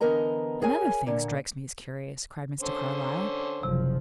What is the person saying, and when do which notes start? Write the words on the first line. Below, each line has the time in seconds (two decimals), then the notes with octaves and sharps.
"Another thing strikes me as curious," cried Mr. Carlyle.
0.01 D3 E3 B3 A#4 D#5 A#5
0.62 G#4 A#4 C#5 G#5
1.06 A#2 D3 A#3
2.61 D3 C#4 C5
3.63 F#1 C3 F3